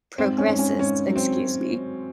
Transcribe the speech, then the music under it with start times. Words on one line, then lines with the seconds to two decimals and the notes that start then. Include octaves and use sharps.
progresses, excuse me.
0.18 G#2 C4
0.38 C#4
0.48 G#2
0.59 C#4
0.79 G#2 C#4
1.10 F#3
1.16 C4